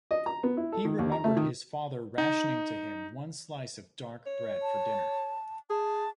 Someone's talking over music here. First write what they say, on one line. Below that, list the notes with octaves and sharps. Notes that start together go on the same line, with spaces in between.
He remembered his father rationing to him one slice of dark bread for dinner.
D#5
A#5
B3
E4
A4
D#3
D#2
A#5
A3
D#3
D#4
C#5
A5
G#4 A5